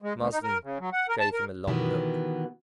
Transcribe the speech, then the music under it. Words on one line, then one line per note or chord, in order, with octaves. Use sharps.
Marsden gave him a long look.
G#3
D2
D#4
A#4
C#3
F#3
F#5
A#4
A5
A#4
B2 D#3 E3 B3 G4